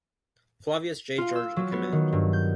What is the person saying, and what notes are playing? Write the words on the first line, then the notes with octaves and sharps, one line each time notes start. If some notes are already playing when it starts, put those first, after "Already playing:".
Flavius J. George in command.
F4
E6
F#3
B3
D#3
G2
G6